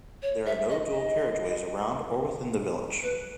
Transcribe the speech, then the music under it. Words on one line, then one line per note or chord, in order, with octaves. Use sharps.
There are no dual carriageways around or within the village.
C#5
E5
D#5
D#5
B4